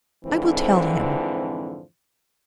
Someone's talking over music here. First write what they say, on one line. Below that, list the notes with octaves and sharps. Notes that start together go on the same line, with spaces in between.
"I will tell him."
F2 G#2 D3 E3 F3 C4